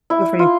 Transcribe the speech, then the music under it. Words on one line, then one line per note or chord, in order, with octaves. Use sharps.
Good for you.
E4
F4